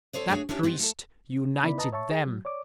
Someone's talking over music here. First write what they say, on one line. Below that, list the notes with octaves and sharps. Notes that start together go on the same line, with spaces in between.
"That priest united them."
C4 A4 C5 C#5 D#5
A3 D4 F#4 G#4 C#5
C#4 D4 E4 G4 C#5
B3 C4 G4 D#5
A3 A4
C#3 B3 D#4 E4 D5 B5
B4 D#5 A5 A#5 D#6
C#5 E5 A5 C#6
G#4
F#3
C#5 D5 D6